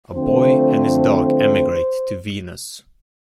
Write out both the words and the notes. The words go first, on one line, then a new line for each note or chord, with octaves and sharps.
A boy and his dog emigrate to Venus.
D3 F3 A3 C4 C5
C5